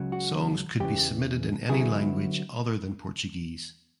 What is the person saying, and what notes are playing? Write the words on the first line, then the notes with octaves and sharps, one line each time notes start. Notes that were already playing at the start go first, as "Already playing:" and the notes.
Songs could be submitted in any language other than Portuguese.
Already playing: C#2 C#3 F#3
F#4
E2 C#3 E3 G4
D3 F#3 B3 E4 G#4